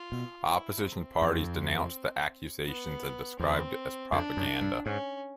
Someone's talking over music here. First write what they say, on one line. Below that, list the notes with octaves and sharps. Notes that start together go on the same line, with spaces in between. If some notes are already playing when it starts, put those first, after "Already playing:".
Opposition parties denounced the accusations and described it as propaganda.
Already playing: F4
B2
E4
C4
F2
B3
E2 C4
F2 D4
F#2
G2
G#2 C#4